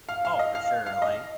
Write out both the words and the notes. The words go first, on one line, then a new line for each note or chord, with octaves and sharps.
Oh, for sure. Like,
F5
F5
D#5
F5
F5
D#5